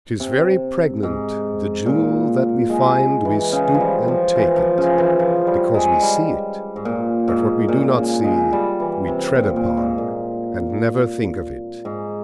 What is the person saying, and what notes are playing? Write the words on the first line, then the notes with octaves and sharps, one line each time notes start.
'Tis very pregnant: The jewel that we find we stoop and take it, Because we see it; but what we do not see We tread upon, and never think of it.
C3
G#2
A#2
G#3
E3
C#3
F3
G3
E3
F3
E3
F3
C#3
E3
F3
G3
G#3
G3
G#2
A#2
G#2
A#2
C#3
G#3
G3
E3
C3
A#2
A#2
G#2
A#2
G#2